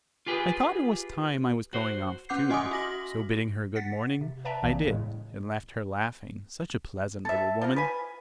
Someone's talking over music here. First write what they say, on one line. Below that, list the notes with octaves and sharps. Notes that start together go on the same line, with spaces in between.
I thought it was time I was going off too; so bidding her good morning, I did, and left her laughing--such a pleasant little woman!
F4 G4 G#4 B4
F#4 C5
C#4 F#5 D6 G6 C7
F#4 D#5 G#5 C6 D6 D#6
F#4 A#6 F#7
F#5 A6 B6
C3
B4 D5 E5 G5 A5 A#5
A1 E2 E3 A#3
A2 C#3 G#3
A4 E5
F3 A#4
B4 G#5